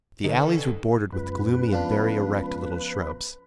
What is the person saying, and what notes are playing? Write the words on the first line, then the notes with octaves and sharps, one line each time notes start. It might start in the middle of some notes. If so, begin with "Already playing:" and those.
The alleys were bordered with gloomy and very erect little shrubs.
F2 D3 C#4 D#4 A4 B4
C#2 F#2 B4
F3 B3 C#4 D4 F4